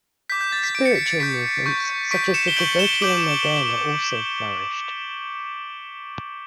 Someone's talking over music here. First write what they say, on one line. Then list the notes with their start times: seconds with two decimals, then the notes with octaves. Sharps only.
Spiritual movements such as the Devotio Moderna also flourished.
0.30 D6 G6 B6
0.41 G6
0.52 A6
0.63 B6
0.75 D6 G6 D7
0.85 C#7
0.95 B6
1.06 A6 C#7
1.20 C#6 G6 B6 D7
1.66 C#6 G6
2.11 C#6 G6 B6 D7
2.34 C#7 E7
2.48 G7
2.56 C#6 G6 D7 F#7
2.79 E7 G7
3.02 D6 G6 D7 F#7